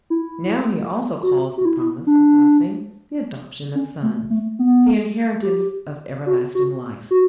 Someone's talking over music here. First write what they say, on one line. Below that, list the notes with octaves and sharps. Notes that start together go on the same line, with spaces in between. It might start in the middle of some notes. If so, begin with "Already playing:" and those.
Now he also calls the promise of blessing "the adoption of sons," the inheritance of everlasting life.
E4
F#4
F#4
E4
D4
C#4
A3
A3
B3
G4
F#4
F#4
F#4